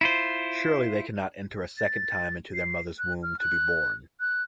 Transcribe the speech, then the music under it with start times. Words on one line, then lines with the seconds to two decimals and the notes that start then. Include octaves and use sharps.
Surely they cannot enter a second time into their mother's womb to be born!
0.01 E4 F4 C5
1.78 A6
2.54 C7
2.99 F#6
3.23 F6
3.39 F#6
4.20 F#6